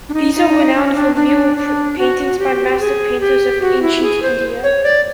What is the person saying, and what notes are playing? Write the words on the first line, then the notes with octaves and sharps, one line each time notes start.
These are renowned for mural paintings by master painters of ancient India.
D4
D#4
D#4
D4
C#4
D4
D4
D4
F#4
G4
G#4
G4
F#4
E4
G#4
C5
C#5
D5